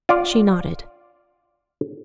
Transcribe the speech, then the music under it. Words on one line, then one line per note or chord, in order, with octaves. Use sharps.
She nodded.
F4 D5 F5